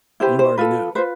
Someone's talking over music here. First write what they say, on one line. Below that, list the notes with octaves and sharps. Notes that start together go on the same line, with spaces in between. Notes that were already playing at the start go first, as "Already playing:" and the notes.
You already know,
E4 G4 B4 C5
C5
F4 A4 B4
F4 B4 C5